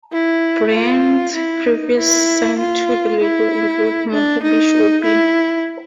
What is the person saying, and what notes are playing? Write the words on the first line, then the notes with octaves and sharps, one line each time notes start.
Bands previous signed to the label include Mo-Ho-Bish-O-Pi.
E4
F4
E4
D#4
E4
F4
E4
D4
D#4
E4